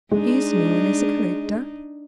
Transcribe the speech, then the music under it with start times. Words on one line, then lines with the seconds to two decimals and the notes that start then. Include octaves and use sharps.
"He is known as a collector?"
0.12 G#3 D4 D#4